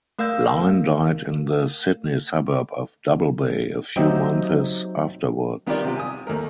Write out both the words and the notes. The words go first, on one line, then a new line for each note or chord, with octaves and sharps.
Lyne died in the Sydney suburb of Double Bay, a few months afterwards.
A3 A#4 F5 E6 G6
F#3 C4 D#4 G4 D#5 E5
D#3 B3 F4 G4 A#4 D5
C3 F4
G#5 D#6
D#2 A3 A#4